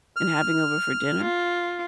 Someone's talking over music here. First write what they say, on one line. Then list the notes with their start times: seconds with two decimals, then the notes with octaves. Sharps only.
and having over for dinner?
0.16 F6
1.21 F4